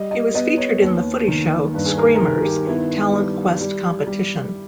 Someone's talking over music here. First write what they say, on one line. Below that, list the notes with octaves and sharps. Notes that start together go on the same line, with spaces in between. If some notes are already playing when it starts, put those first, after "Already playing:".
He was featured in The Footy Show "Screamers" talent quest competition.
Already playing: G3 D#5
D#5
B3 D#5
C#5
D#2
D#3
G2 B4
G#4
A#4
A#4
D#3 G#4
G4
B3 E4
G3
G3
G3